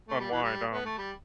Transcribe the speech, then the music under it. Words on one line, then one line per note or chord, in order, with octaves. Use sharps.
unwind, um,
A3
G3
E3
G3
B3
A3
G3